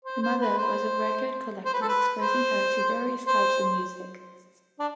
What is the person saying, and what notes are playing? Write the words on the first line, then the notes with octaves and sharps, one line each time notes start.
Her mother was a record collector, exposing her to various types of music.
C5
C5
B4
C5
C5
B4
A4
B4
C5
C5
D4